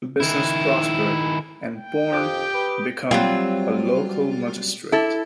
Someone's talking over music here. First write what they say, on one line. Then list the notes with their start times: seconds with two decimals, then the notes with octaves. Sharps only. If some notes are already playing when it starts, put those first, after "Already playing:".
The business prospered, and Bourne become a local magistrate.
0.20 D#3 E4
1.77 G5
2.12 F2 G4 D#6 G6 D7
2.54 B4
3.11 F#3 G3 C4 F4
4.92 E4 A4